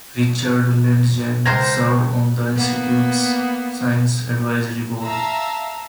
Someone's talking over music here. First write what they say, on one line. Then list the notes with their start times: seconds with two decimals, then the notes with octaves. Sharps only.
Richard Lindzen served on the Institute's Science Advisory Board.
1.45 C#2 A#4 C5 C6 G#6
2.56 A#3 B3
5.02 E5 F5 A5 A#5 E6